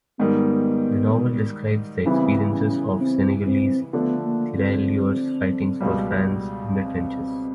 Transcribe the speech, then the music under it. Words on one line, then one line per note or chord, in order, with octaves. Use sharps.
The novel describes the experiences of Senegalese Tirailleurs fighting for France in the trenches.
G#2 D#3 G3 B3
C#3 E3 G3 B3 C4 E4
C#4
C4
C4
D3 F3 A3 B3 D4
A#3
C4
C#2 B2 G3
C4